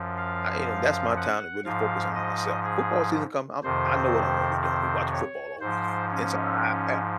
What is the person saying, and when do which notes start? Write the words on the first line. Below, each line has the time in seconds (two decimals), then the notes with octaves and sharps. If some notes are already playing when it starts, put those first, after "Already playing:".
I you know, that's my time to really focus on myself. Football season come, I'm I know what I'm gonna be doing, be watching football all weekend and so, I Yeah,
Already playing: F#2 F3
0.17 F5
1.17 F#5
1.65 G#2 F3 F5
2.15 D#5
2.64 G#4
3.63 F2 C3 D#3 C5
4.62 C5
5.11 C#5
5.60 G#2 F3 C5
6.10 C#4